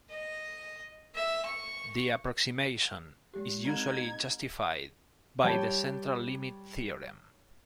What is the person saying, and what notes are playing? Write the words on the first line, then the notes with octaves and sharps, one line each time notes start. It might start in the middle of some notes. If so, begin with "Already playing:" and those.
The approximation is usually justified by the central limit theorem.
D#5
E5
C#6
G#3 G4
C4 D#4 A#5 G#6
G3 C#5 G5 A5